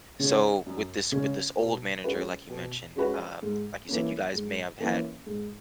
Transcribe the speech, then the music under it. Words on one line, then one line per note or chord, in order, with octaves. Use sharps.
So, with this with this old manager, like you mentioned um, like you said, you guys may have had
C#3 G#3 C#4
F#2
C#3 G#3 C#4
B2
G#3 C#4 F#4 B4
B2
G#3 C#4 F#4 B4
G#2
E3 A#3 C#4
G#2
E3 A#3 C#4
G#2